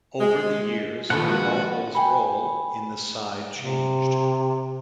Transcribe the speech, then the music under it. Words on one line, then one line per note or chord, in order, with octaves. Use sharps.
Over the years Bulbul's role in the side changed.
G#3
A#1 A#2 D#3 F4 A4 B4 F#5
F3 G#3 A#3 F#4
G5 G#5 B5
C3